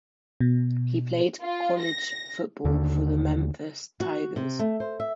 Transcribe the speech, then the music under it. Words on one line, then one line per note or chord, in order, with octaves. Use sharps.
He played college football for the Memphis Tigers.
B2
F4
A#6
D#2 D3
F#4
C3
A3
C5
E5